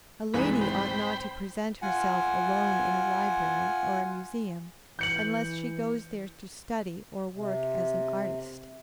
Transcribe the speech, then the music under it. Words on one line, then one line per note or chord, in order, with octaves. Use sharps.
A lady ought not to present herself alone in a library, or a museum, unless she goes there to study or work as an artist.
C2 G#2 E3 G#3 B5
C5 G5 B5
F4 F#5 G#5
E3 G6 C#7 F#7
C3